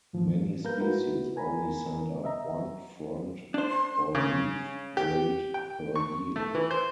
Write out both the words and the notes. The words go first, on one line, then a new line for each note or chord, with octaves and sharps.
Many species only send up one frond or leaf-blade per year.
G#2 E3 F3
A#3 A#4 B4 F5 A#5 G6
E4 F#4 B4
A#4 G#5 A#5 B5
D#5 E5 A#5
D4 C5
C6
C#3
G4
G5
C#6
A3
E3
C5